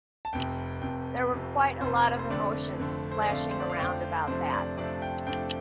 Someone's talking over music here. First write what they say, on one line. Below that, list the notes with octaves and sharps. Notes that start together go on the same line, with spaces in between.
There were quite a lot of emotions flashing around about that.
A5
F1 F2 C3 G5
F1 F2 C3 G5
F1 F2 C3
F1 F2 C3 C5
C5
F2 D3 A3 C4 D5
F2 D3 A3 C4
C5
D5
F2 D3 A3 C4 F5
C5
D5
F5
F2 D3 A3 C4 G5
F2 C3 F3 A3 D4 C5
D5
F2 C3 F3 A3 D4 D5
G5
F2 C3 F3 A3 D4 G5